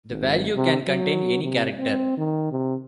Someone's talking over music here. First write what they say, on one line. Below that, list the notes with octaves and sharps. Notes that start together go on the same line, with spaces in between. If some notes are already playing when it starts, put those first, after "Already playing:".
The "value" can contain any character.
G#1
C3
F#3
C3
C4
D#3
C3